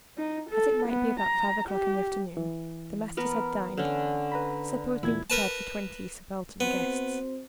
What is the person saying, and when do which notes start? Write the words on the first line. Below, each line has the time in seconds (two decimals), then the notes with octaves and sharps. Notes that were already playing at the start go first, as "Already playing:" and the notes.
As it might be about five o'clock in the afternoon, the masters had dined: supper was being prepared for twenty subaltern guests.
0.18 D#4
0.50 A4
0.88 B3
1.20 A#5
1.68 G4
2.37 E3
3.17 B3 A#4 B4
3.77 D3 C#4
4.32 B4 A#5 B5
5.03 E2 A#2 E4 G#6
5.30 A#4 B4 A5
6.60 B3 C4 F#4 C5